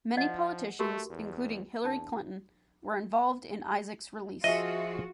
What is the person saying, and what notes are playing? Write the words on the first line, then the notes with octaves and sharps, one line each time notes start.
Many politicians, including Hillary Clinton, were involved in Isaac's release.
F3 D5 D#5 F#5
A3 F#4 G4 A#4
E2
E2 D4 A5
F3 F4 F#4 G#4 D#5 E5